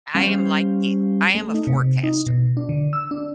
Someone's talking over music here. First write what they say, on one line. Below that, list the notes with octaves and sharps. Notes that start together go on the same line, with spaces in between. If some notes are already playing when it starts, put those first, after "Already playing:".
I am like you, I am a forecaster.
G3 C#4 G4 C5 F5
A3
D#4
C3
D#4
B2
D4
D3
E6
D4